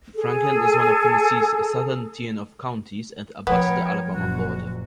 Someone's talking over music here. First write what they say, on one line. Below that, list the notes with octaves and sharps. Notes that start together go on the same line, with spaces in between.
Franklin is one of Tennessee's southern tier of counties and abuts the Alabama border.
G#4 A4
F3 B3 A#4 C#5 G5
F#1 A#2 F#4